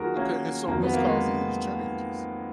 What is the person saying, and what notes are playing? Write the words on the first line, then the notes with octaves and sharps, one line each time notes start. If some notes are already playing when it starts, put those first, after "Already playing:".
Okay, and so what's causing these changes?
Already playing: D#2 D#3 F#3 F4 F#4 G#4 A#4
A#3 C#4
F2 D#3 F#3 A#3
B3
A#3
G#3